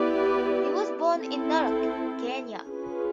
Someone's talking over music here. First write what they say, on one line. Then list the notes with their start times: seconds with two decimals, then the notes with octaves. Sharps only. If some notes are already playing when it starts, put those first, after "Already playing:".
He was born in Narok, Kenya.
Already playing: B3 E4 G4 B4 D5
1.15 C4 E4 A4
2.63 C#4 F4 G#4 B4